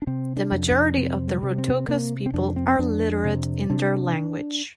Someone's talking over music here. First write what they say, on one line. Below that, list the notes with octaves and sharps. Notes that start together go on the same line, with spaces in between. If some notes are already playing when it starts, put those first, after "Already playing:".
The majority of the Rotokas people are literate in their language.
D4
C3 C4
D4
F2
D4
C3 C4
G3
C3
C4
C3 A#3
C4
F2 D4
C4
C4
F2 D4
C3
C3 D4